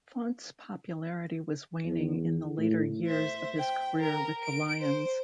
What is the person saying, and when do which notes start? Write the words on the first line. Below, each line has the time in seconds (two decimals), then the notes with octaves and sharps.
Fontes popularity was waning in the later years of his career with the Lions.
1.85 E2
2.59 A2
3.07 C5 E5
3.58 G5
4.00 A#4 A#5
4.43 D7
4.80 C5